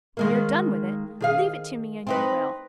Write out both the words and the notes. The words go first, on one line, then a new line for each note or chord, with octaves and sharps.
When you're done with it, leave it to me in your will.
D#3 G#3 A#3
D#3 G#4 F5
C4 D#4 B4